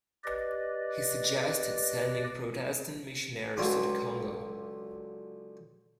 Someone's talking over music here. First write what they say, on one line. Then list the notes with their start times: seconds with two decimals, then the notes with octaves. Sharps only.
He suggested sending Protestant missionaries to the Congo.
0.24 G4 B4 D5 D#5
3.57 C#2 D3 F#3 F4 B5 D6